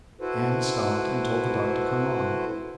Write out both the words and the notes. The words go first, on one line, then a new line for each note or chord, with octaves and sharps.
Am stopped and told the dog to come on.
E4 F#4 A4 B4 C5